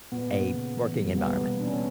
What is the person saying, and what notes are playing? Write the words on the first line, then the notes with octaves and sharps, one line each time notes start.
a working environment.
A#2 B3
A#3
C#3
E3
G3
A#3 B3
B2
A#3 D4
C#4
B3